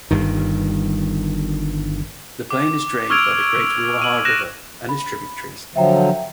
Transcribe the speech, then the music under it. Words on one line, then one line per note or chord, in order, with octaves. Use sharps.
The plain is drained by the Great Ruaha River and its tributaries.
G1 G2 D#3
D6
C#6 E6 F6 G#6 D7 F7
D#7 F#7
F#6 A#6 E7
B5
D3 F3 F#3 E5 G5 A#5